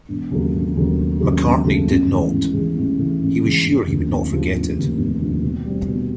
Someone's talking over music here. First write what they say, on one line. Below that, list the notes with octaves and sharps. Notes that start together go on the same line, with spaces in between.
McCartney did not; he was sure he would not forget it.
E1
D#2 C#3 F#3 A3
E1
D#2 C#3 F#3 A3
E1
D#2 C#3 F#3 A3
E1
D#2 C#3 F#3 A3
A1
A2 E3 G#3
A1
A2 E3 G#3
A1
A2 E3 G#3
A1
A2 E3 G#3
F1
D#2 D3 F3
F1
D#2 D3 F3
F1
D#2 D3 F3
F1
D#2 D3 F3
B2
G3 C4
B2